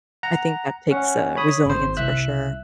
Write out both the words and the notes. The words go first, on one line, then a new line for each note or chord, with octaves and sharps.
I think that takes, uh, resilience for sure.
F#5 A#5
C#4 F#5
C#5 B5 D#6
G#1 C5
C2 E5 E6 F#6